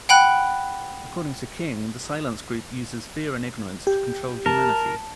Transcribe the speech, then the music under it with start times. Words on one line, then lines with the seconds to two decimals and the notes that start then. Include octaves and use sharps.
According to King, the Silence Group uses fear and ignorance to control humanity.
0.09 F#5 G5 B5 F#6
3.87 G4
4.46 A#4 A5